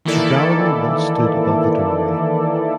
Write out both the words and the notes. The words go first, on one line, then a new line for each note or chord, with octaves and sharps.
A gallery once stood above the doorway.
D#3 E3 A#3 E4 A4 D5